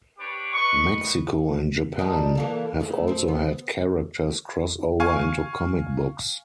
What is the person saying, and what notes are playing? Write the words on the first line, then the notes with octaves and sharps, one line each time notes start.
Mexico and Japan have also had characters crossover into comic books.
D4 G4 B4 C#5 D6
B4 D#5 C#6
G3 D4 D#4
E3 A#3 A4
D2 A3 G#4
C4 E4
B3
F5 G#5 C#6